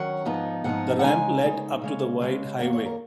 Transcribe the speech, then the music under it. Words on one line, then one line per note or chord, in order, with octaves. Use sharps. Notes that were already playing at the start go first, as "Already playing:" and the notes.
The ramp led up to the wide highway.
Already playing: D#3 F#3 C#4 F#5
G#2 F3 B3 D#4
G#2 F3 B3 D#4 F#5
F#5
C#3 G#3 D#4 G#5
C#3 G#3 D#4
C#3 G#3 C#4
C#3 G#3 C#4
F#2 D#3 A#3 F#5
C#5
A#4